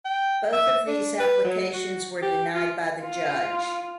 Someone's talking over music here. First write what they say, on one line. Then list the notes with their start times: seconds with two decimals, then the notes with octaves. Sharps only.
Both of these applications were denied by the judge.
0.05 G5
0.53 E5
0.87 D4
1.20 B4
1.44 F#3
1.74 F#4
2.22 G4
2.55 F4
3.03 F4